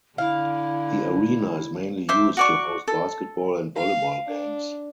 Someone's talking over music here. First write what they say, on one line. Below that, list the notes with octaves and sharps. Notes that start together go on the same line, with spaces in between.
The arena is mainly used to host basketball and volleyball games.
D3 E4 F5
C5 E5 D6
F#4 D5 C#6
A4
F5
D4